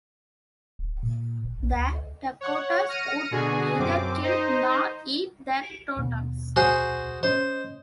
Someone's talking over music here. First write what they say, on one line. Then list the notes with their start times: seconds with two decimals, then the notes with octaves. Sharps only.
The Dakotas would neither kill nor eat their totems.
0.79 D#1
1.03 A#2
1.44 F#1
1.60 A#1
1.73 D2
2.41 C#5 F#5
2.88 F6 A#6 C#7 D#7
3.31 B2 D3 F#4 G#4 G#5
3.78 F#2 C4 D6
4.23 D#4 C5 D#5
5.97 D#2 B2
6.56 F#4 G#4 C5
7.23 C#4 C5 D#5